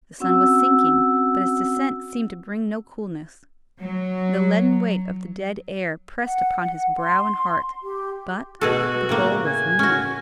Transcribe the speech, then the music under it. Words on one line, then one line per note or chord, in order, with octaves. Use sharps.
The sun was sinking, but its descent seemed to bring no coolness; the leaden weight of the dead air pressed upon his brow and heart, but the goal was near.
C4 C#4 F#4 F#5 E6
F#3
F#5
F#5
C6
G4
B2 F#4 G#4 A4
A2 C#3 A#3
G#5
C#4 F#4